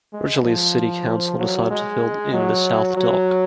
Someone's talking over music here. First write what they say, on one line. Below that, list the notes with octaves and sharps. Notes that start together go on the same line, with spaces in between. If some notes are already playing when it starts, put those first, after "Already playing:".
Originally the city council decided to fill in the South Dock.
G#3
F3
F#3
G#3
F#3
F#3